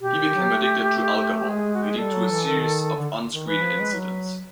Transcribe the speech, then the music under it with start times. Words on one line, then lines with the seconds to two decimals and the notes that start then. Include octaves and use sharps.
He became addicted to alcohol, leading to a series of on-screen incidents.
0.01 B2 G4
0.17 D#3
0.34 F#3
0.50 A3
1.39 G4
1.44 A3
1.49 G#3 G#4
1.75 F#4
1.83 G4
1.90 G#4
1.98 G3 A4
2.14 F#3
2.31 E3
2.48 D#3
2.96 D3
3.33 D#3
3.46 E3 B4
3.63 F3
3.80 G#3
3.95 F#3